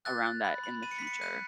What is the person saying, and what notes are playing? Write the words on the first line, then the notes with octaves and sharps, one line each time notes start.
around that in the future.
F#6 A6
F#6
B5
B5
B5 D#7
C#7
B6
B5 C#7
F#6 D#7